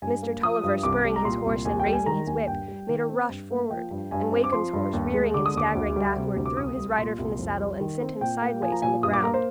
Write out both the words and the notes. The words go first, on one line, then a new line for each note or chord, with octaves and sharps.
Mr. Tulliver, spurring his horse and raising his whip, made a rush forward; and Wakem's horse, rearing and staggering backward, threw his rider from the saddle and sent him sideways on the ground.
G2 G#5
A#3
F3 D#6
G2
C2 D6
G3
A#5
A#2 C6
C2
D#2 G#5
G5
G3
G#5
D#3 A#5
D#2 G#5
G2 G5
G3
D#3
C4
G2
A#3
F3 G5
G2
G2 G#5
C4
D6
F3 C6
G2
D#2
G#3
D3 D6
D#6
D#2 D6
D2
G3
C3
D2
D6
C2 D#6
G3
A#2 C6
C2
F2
G3
D#3
C4
A#2 G5
A#3
F3 G#5
A#5
A#2 G#5
G2 D#6
D6
A#3 A#5
C5